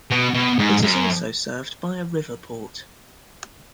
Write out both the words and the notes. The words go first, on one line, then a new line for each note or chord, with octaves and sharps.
It is also served by a river port.
B2
B2
G#2
F#2